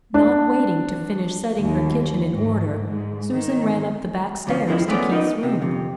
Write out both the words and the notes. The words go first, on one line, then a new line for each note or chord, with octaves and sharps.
Not waiting to finish setting her kitchen in order, Susan ran up the back stairs to Keith's room.
D4
D#2
G#2
G#2
D#3
D2 G#2 F3 C#4 F5
F2 F3 G#3 E4
G#3 A3 B3 C#4 A#4 D5
D#4 E4 A#4 B4 D#5
C3
F2 C3